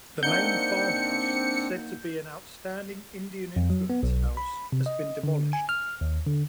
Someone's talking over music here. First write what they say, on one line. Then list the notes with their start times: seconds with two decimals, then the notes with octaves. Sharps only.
The main farmhouse, said to be an "Outstanding Indian-influence house", has been demolished.
0.23 A#3 C4 D4 D#4 F#5 G6 C#7
3.56 F2
3.70 F#3
3.90 B3
4.03 B1
4.37 B5
4.73 C3
4.86 D#5
5.24 D3
5.53 G#5
5.69 F6
6.01 D#2
6.26 D3